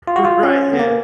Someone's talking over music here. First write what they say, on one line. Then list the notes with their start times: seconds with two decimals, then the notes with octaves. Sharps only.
R right, yeah.
0.07 F4
0.16 F#4
0.25 F4
0.43 C#4
0.73 B3
0.79 A#3